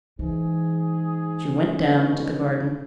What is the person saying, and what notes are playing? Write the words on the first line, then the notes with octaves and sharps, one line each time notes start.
She went down into the garden.
G#2 E3 G#4
B2 G#3 C#4